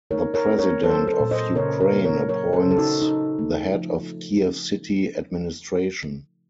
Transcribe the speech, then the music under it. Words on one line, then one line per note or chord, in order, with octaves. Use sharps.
The President of Ukraine appoints the Head of Kiev City Administration.
D#4 A#4 C#5
A#4 C#5
C4
A#4 C#5
F#3 A4 C5
A4 C5
A#2
C5 D#5
C#3 A#4 C#5
A#4 C#5
A#3
A#4 C#5
F#3 A#4 C#5
A4 C5
C#3
A4
D#4 F#4
D#4
A3
F3